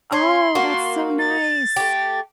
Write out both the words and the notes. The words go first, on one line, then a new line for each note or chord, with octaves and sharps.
Oh, that's so nice.
C#4 C6
A#3 F4 F#4
A6
A3 G4